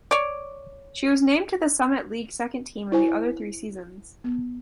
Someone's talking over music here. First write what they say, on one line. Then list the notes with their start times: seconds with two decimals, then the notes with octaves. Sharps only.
She was named to the Summit League Second Team in the other three seasons.
0.11 C#5 D5
2.92 E4 C5 G#5
4.24 B3